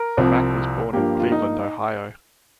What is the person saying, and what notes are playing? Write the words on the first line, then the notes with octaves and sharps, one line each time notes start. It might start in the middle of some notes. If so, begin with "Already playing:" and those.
Mack was born in Cleveland, Ohio.
Already playing: A#4
C2 C3 F3 C4
G2 F3 A#3 G4
F4
D#4